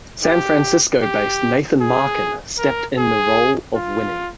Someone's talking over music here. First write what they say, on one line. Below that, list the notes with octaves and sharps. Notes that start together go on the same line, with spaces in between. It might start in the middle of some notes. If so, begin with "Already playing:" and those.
San Francisco-based Nathan Marken stepped in the role of Winnie.
G4
G4
G#4
A#4
G#4
F4